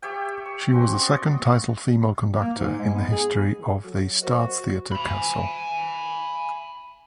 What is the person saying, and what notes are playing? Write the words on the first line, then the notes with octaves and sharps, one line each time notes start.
She was the second titled female conductor in the history of the Staatstheater Kassel.
G4 C#5 E5 G5
C#6
C4 C#4 F#4
D5 D#5 C6 C#6
A#3
G#2
G#3
B3
G#4
F#3 A4
F#4 A#4 C5 D#5
G#5 B5